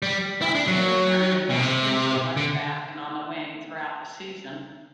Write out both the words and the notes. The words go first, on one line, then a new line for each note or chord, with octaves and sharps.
Moxey returned and had stints at left-back and on the wing throughout the season.
G3
E4
D4
F#3
B2
C3
D3